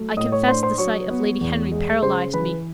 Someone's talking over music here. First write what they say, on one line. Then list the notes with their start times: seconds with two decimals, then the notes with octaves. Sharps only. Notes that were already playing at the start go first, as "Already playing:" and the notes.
I confess the sight of Lady Henry paralyzed me.
Already playing: F#3 A3
0.17 A2 D#5 D#6
0.32 C#5 C#6
0.47 D4 C5 C6
0.63 C5 C6
0.78 F#3 C#5 C#6
1.10 B3
1.41 E2
1.72 G#3
2.02 C#3 C5 C6
2.33 E3 B4 B5